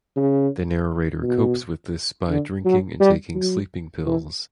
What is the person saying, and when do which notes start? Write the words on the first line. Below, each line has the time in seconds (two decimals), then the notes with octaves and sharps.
The narrator copes with this by drinking and taking sleeping pills.
0.16 C#3
1.22 B2
2.29 D3
2.65 F#3
3.00 G3
3.35 F#3
4.06 E3